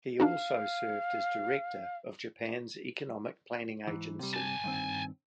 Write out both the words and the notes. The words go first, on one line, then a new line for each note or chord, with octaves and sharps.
He also served as director of Japan's Economic Planning Agency.
D4 D#4 F#4 F5
G#2 E3
C3 G3
G#5 A5
G2 D#3 C4